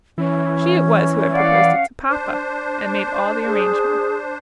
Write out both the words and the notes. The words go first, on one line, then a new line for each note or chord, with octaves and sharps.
She it was who had proposed it to Papa, and made all the arrangements.
E3 C#4
D5 F5 F#5
D4 C5
G#4